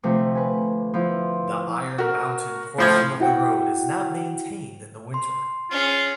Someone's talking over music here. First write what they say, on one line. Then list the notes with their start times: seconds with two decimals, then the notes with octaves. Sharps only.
The Iron Mountain portion of the road is not maintained in the winter.
0.03 D2 C3 F3 A3
0.35 B4 G#5
0.94 F3 B3 E4 C5
1.98 F#4 A#4
2.78 A2 F3 G6 G#6
3.20 E4 F#4 F#5 G5
5.14 C6
5.71 C#4 F4 G#4